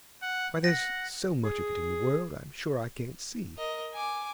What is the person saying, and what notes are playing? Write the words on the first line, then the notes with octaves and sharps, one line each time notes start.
Why there's so much of it in the world, I'm sure I can't see.'
F#5
F#5 A#6
G#4
A#4 D#5
G#5 D6